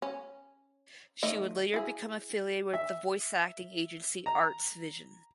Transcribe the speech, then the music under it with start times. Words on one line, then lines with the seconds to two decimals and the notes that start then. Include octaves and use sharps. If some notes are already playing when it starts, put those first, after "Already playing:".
She would later become affiliated with the voice acting agency Arts Vision.
0.02 C#4
1.23 D#3 A3 D#5
1.74 E4 G#4
2.73 E5
4.26 A#5